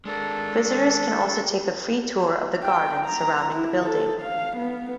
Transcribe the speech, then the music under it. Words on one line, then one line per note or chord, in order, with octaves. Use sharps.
Visitors can also take a free tour of the gardens surrounding the building.
G#3 D4 A4 A#4
G5
A#5
E4
A4
F5
B3